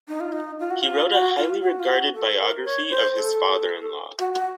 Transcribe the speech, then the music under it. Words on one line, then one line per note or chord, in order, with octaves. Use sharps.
He wrote a highly regarded biography of his father-in-law.
D#4
F4
D#4
F4
F#4
F4
F#4
F4
F#4
F4
F#4
A4
A#4
C#5
C5
A4
F#4
F#4